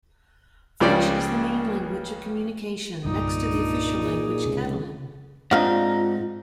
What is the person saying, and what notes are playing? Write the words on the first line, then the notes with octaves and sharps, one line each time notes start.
French is the main language of communication next to the official language, Catalan.
C#2 C#3 F3 G3 D5
C2 G2 A#2 D3 D#4 D5
D4
G#4
C#2 C3
G#2 C4 D4 D#4 F4 D#5 F5 F#5